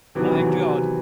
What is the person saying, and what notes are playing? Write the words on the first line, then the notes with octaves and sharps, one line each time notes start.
My God!
C3 D#3 E3 F#3 B3 F#4
C3 E3